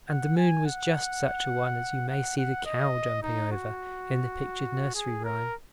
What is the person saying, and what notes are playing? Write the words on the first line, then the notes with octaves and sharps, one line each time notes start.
And the moon was just such a one as you may see the cow jumping over in the pictured nursery rhyme.
F#5
G#5
F#5
F#5
F#5
D#5
D#4
F#4
G#4
A#4